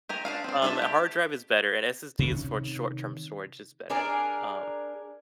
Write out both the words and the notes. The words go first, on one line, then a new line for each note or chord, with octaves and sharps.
um, a hard drive is better, and SSD is for short-term storage is better, um,
G4 G#5 A#5
D4 G#4 F5
C4 D4
F4 G#4 A4 C#5 E5
G4
C3 D#3 C#4
D4 G#4 A#4 D5